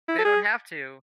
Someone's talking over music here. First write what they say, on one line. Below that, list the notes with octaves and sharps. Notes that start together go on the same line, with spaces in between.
they don't have to
E4
A4
G#4